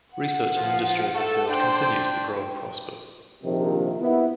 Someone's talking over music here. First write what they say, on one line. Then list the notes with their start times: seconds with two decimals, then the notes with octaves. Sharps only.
Research and industry in the field continues to grow and prosper.
0.14 F#5
0.56 F3 B3 F4
1.15 A3 A4
1.49 D4 C5 G5
3.44 A#1 C3 D#3 F3
4.00 B3 E4